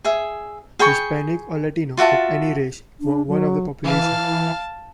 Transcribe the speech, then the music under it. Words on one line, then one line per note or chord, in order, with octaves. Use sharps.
Hispanic or Latino of any race were one of the population.
G#4 E5
G#4 G5 B5 C#6
F4 F#4 E5 A5
D4
F#3
E3 F5 A5 F6